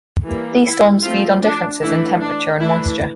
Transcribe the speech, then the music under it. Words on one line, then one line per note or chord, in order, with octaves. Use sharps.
These storms feed on differences in temperature and moisture.
E3 G3 A#3
E4
F3 A3 C4 F4
D4
E3 A3 D4 E4
D4
E3 A3 D4 E4